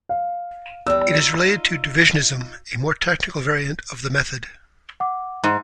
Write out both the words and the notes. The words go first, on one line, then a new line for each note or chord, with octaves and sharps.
It is related to Divisionism, a more technical variant of the method.
F5
E2 G3 E6
D#4 F4
F#5 D6
G#2